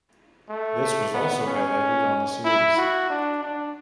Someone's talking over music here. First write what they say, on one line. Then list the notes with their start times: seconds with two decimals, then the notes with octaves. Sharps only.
This was also highlighted on the series.
0.49 A3
1.14 B3
1.46 C#4
2.44 E4
2.77 F#4
3.10 D4
3.43 D4